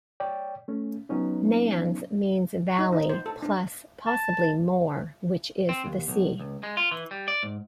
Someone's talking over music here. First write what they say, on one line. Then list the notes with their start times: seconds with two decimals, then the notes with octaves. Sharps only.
"Nans" means valley plus possibly "mor" which is the sea.
0.20 C#5 D5 G5
0.68 A3 C#4
1.09 F#3 B3 C#4 D#4
2.79 D#4
2.93 D#4
3.09 C5
3.26 A4
3.42 D4
4.07 A5
5.69 C4
5.86 D#2
6.08 B1
6.40 C#2
6.63 G#3
6.77 F4
6.91 E3
7.11 G3
7.28 D5
7.43 G#2